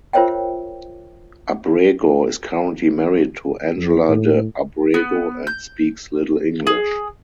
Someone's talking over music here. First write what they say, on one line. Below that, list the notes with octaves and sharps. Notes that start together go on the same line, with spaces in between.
Abrego is currently married to Angela de Abrego and speaks little English.
F4 A#4 C5 C#5 E5 G5
F2
A2
B3
G6
G#4